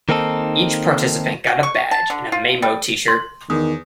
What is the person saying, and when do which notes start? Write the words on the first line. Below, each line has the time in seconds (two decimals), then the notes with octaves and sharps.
Each participant got a badge and a Maemo T-shirt.
0.09 D#3 A#3 C4 D#4 A4
1.47 F#4
1.63 C#6
1.91 A5
2.10 D3
2.32 F4
2.62 G3
3.08 C6
3.50 E2 D#3 D#6